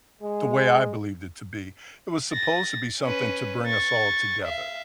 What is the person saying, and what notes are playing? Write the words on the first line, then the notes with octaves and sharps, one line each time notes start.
the way I believed it to be, it was supposed to be something to bring us all together,
G#3
A6 A#6
C#4 B4
C#6 A6
E5 F5